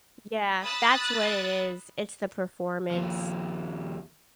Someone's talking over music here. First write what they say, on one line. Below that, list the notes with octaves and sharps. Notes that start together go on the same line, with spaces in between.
Yeah, that's what it is, it's the performance.
B5 D#6 E6 F#6 A6
D#2 F3